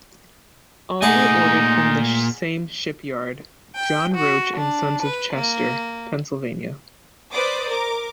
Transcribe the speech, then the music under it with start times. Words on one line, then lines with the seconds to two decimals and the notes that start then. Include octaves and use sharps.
All were ordered from the same shipyard, John Roach and Sons of Chester, Pennsylvania.
1.02 A#2 A3 D#4 G#4 F#5 G#5 D6
3.74 G5
4.13 F#4
4.57 D4
5.02 B4
5.33 A#3
7.31 B4 C5 D5 D6 D#6
7.68 A#4 D6